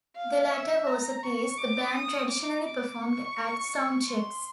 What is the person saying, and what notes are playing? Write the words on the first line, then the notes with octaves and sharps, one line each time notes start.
The latter was a piece the band traditionally performed at soundchecks.
F5
E5
A#5
C#6
D6
D#6
D6
D6
C#6
C6